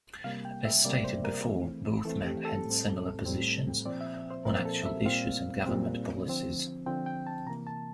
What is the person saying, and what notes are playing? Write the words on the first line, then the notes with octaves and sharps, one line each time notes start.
As stated before, both men had similar positions on actual issues and government policies.
C3 G3 A#3 F5
G5
E5
C3 G3 A#3 D5
C5
A#4
E3 A3 C4
E3 A3 C4 A4
G4
A4
A2 G3 C4
A2 G3 C4
A#2 F3 C4 D5
E5
C5
A#2 F3 C4 A#4
A4
E5
A#2 G3 C4 F5
A#2 G3 C4
D3 F3 C4
D3 F3 C4 G5
G5
A5
C3 E3 A#3 A#5
A5